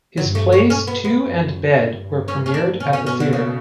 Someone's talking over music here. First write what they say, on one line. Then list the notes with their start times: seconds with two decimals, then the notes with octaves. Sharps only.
His plays "Two" and "Bed" were premiered at the theatre.
0.17 G2 F#3
0.35 A3
0.52 C#4
0.70 C#4
0.87 B3
1.05 B3
1.23 F#2
1.75 G2
2.28 C#4
2.46 C#4
2.54 D4
2.80 B2 C#4
2.93 C#4
3.07 C#4
3.20 D3
3.33 C#3